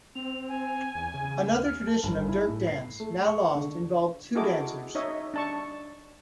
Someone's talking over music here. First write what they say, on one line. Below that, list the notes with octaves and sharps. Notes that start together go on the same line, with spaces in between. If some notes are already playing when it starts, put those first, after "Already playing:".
Another tradition of dirk dance, now lost, involved two dancers.
C4 F7
G#5
E2
C#3
D#2 F6
A5
G1
E4
A2
C7
A3
C#6
D3
E4 F#4 G#4 A4 D#5 D6
D#4 C#5 D#5 E5
D4 A5 C#6